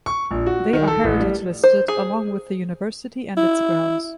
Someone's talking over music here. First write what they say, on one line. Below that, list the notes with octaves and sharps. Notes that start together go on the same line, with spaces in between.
They are heritage-listed along with the University and its grounds.
C#6
A#1
F#4
D#3
A4
A1
G3
C5
G#4
E4